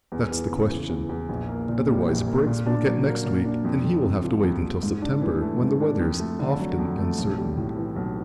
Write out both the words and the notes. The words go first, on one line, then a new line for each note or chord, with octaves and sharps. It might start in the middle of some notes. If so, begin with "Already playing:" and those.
That's the question. Otherwise Briggs will get next week, and he will have to wait until September--when the weather is often uncertain.
E2
E2
C#3
E3
E2
E2
A#1
A#3
A#2
G3
A#1
A#3
A#2
D4
F#3
A#3
A#2
D4
F2
F2
C3
F3
F2
F2
G#2
D4
E3
A3
G#2
D4
F2
A3
D3
F#3
F2
A3
B1
G3
A2
E3
B1